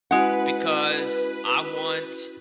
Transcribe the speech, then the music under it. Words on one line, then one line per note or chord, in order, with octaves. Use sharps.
because I want"
G#3 C#4 E4 F#4 B4 F#5